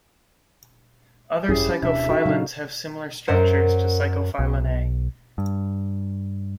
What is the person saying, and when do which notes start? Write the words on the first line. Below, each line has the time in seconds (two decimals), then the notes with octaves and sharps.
Other cyclophilins have similar structures to cyclophilin A.
1.48 G#1 F#2 C#4 E4 G4 G#4
1.82 D1 B2 D4 E5
2.07 D#4 F#4 A4
2.26 A#2 C#3 F#3 D4 D#4 F5
3.27 F#2 A#4 C5 F#5
4.39 B1
5.38 G2